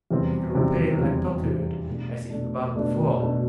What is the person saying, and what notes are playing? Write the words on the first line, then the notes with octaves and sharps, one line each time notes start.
He grew pale and tottered, as if about to fall.
E2 C3 E3 G3 C4
E2 C3 E3 G3 C4
E2 C3 E3 G3 C4
E2 C3 E3 G3 C4
B2 A3 D4
B2 A3 D4
B2 A3 D4
B2 A3 D4